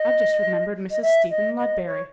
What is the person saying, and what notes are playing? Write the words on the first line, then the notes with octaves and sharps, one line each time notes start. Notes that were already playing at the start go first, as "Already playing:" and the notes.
I’ve just remembered Mrs. Stephen Ludberry.
Already playing: D#5
D#5
E5
D#5
D#5
C#5